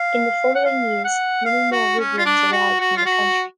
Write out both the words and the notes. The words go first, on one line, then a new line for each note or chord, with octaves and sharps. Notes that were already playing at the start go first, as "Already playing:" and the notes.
In the following years, many more Rivlins arrived in the country.
Already playing: F5
F#5
F5
F#5
F5
F#4
C#4
F4
D4
F#4
F#4
F4
F#4